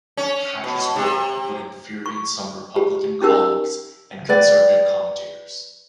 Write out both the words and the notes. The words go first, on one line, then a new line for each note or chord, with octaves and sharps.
Hatch's role would infuriate some Republican colleagues and conservative commentators.
C#4
B2
C3
C#6
G4
C#4 D#4 G4 A#4 E6
B4 D5 G5